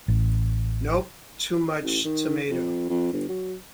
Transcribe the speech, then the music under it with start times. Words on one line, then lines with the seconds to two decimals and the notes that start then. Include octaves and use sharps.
Nope! Too much tomato.
0.08 A1
1.84 A1
2.05 D#3
2.51 F2
2.89 F2
3.13 G1
3.29 F#3